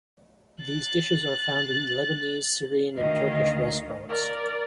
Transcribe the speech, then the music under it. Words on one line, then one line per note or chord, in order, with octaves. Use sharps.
These dishes are found in Lebanese, Syrian, and Turkish restaurants.
F#6 A6
D2 D#3 D#5 F5
A#4 D5